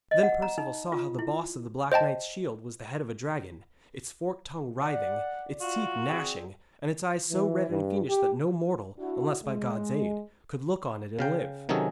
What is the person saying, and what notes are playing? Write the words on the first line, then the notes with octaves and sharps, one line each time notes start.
Then Perceval saw how the boss of the Black Knight's shield was the head of a dragon, its forked tongue writhing, its teeth gnashing, and its eyes so red and fiendish that no mortal, unless by God's aid, could look on it and live.
D#5
F#5
A#5
D#4
F4
E4
C5 D#5 G5 A5
D5 F#5
F4 F#4
C4 G#4 D6
E3
G2
G4
D4 E4 F#4
G#3
C#3 F5 G5
C3 D#3 F#3 C#4 G#4 A4